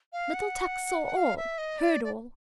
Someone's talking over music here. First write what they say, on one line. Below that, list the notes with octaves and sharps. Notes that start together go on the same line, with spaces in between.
Little Tuk saw all, heard all.
F5
F#5
F5
E5
D#5
D5
D5